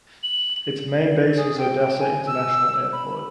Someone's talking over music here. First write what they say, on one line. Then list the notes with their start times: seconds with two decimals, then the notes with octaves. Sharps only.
Its main base was Odessa International Airport.
0.23 F#7
1.37 G#4
1.58 G5
2.00 G#5
2.27 E6
2.93 B5